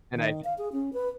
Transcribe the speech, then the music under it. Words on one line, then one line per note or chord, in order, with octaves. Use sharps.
And I th
D#3
F5
G#4
C#4
B4